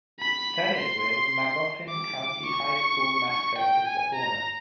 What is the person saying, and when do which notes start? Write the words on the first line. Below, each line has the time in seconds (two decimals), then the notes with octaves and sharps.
Salyersville's Magoffin County High School mascot is the Hornets.
0.20 B5
0.77 C6
1.89 D6
2.46 C#6
3.30 C#6
3.58 G5
3.87 G#5
4.14 A#5